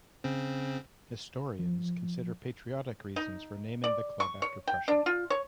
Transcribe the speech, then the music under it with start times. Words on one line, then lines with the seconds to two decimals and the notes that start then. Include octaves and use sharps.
Historians consider patriotic reasons for naming the club after Prussia.
0.24 C#3 C4
1.59 F3
3.16 D#4
3.84 D5
4.20 C#6
4.42 C#5
4.68 G5
4.88 D4
5.06 F4
5.30 C#5